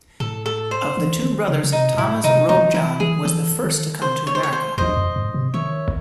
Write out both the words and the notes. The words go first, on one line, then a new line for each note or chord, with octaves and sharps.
Of the two brothers, Thomas Robjohn was the first to come to America.
A2 A4
A4
C5
E3
D#3
C#3
C#3
C3 D#4
A2 E4
C3 D#4
E3 D#4
F#3
E3
E3 E4
E3 G#4
E3 A4
D#3
C5
C#5
C5
C#5
C5
E2 C5 D#5
F#2
G#2
C3
D#3 C#5 E5